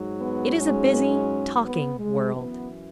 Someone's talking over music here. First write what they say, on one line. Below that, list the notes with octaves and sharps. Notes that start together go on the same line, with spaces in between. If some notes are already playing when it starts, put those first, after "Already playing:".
It is a busy, talking world.
Already playing: G#2 F#3
B3
G#3 C#4
B3
G#3
F#2 E3 B3